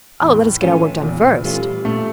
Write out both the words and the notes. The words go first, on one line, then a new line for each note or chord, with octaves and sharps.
'Oh, let us get our work done first.'
E2 A2
E3 A3 C#4 F4
E2 A#2
E3 G3 A3 C#4 F4
A#2 A3